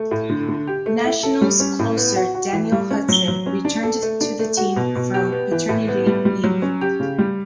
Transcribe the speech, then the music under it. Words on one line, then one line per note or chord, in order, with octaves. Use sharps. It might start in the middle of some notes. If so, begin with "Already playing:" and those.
Nationals closer Daniel Hudson returned to the team from paternity leave.
Already playing: A3
A2
D3
D3
G4
A3
E4
A4
G3
C#4
A2
B3
F#4
F#4
E3
G3
C#4
F#3
F#3
C#4
D4
A4
A3
D4
A3
F#4
B2
B2
G4
B3
E3
A2
B3
G3
G3
F#3
C#4
G4
C#3
G3